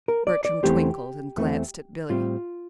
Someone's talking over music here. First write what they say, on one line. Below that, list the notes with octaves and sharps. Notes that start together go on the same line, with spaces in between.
Bertram twinkled and glanced at Billy.
A#4
D5
D5
E2 E3 A3 C4 G4
E2 E3 A3 C4
A2 G3 C4 F4